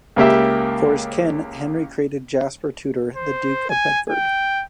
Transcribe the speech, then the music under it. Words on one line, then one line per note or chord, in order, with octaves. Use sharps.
For his kin, Henry created Jasper Tudor the Duke of Bedford.
C#2 A#3 G4 E5
C5
G#5
G5